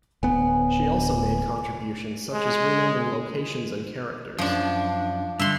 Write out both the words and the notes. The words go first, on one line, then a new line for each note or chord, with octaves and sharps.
She also made contributions such as renaming locations and characters.
D1 B3 G#5
G#3
F#2 F3 D4
G2 D3 E5 C6